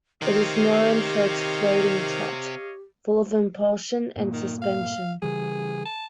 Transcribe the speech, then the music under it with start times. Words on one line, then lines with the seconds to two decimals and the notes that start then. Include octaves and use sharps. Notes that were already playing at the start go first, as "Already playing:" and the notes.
It is known for its "floating trot" - full of impulsion and suspension.
0.22 C3 D#3 C4 G4 C#5 D#5 F5
4.16 G2 A#2 A#3
4.33 D#3
4.62 F5
5.22 C#3 E3 G3 G#4
5.86 A5